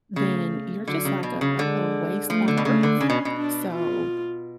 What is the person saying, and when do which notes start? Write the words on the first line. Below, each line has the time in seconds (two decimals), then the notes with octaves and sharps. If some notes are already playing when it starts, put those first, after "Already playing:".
then you're just like a a a waste on earth. So
0.16 C#3 A3
0.88 D3 F#3
1.05 C#3
1.23 B2
1.41 C#3
1.59 D3 G#3
2.30 F3 A3
2.48 D3
2.57 B2
2.65 C#3 A3
2.83 D3
3.01 C#3 C#4
3.10 B2
3.25 B2
3.37 D4
3.72 F4